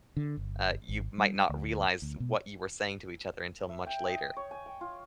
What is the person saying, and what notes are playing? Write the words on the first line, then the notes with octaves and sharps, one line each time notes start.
uh, you might not realize what you were saying to each other until much later.
D3
G1
G#1
G3
D2
D2
B2
E5
G5
D#5
C#5
G#5
G5
F4